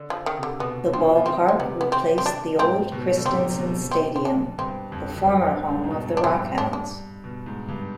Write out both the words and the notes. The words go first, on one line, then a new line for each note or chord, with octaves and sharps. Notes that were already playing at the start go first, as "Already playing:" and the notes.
The ballpark replaced the old Christensen Stadium, the former home of the RockHounds.
Already playing: D3
D3 F3
D#3
C3
D3
B2 B3
F3 C4
F3
D#3 C4
C4
C3 B3
B3
C4
C4
D4
G#2 C4
B2
D3
C3 C4
C3
B2
C4
C4
D4
G2 C4
F2
F2
G2
G2
G#2
G#2
B2
D4
G2 C4
D4
D4
B2
G#2
G2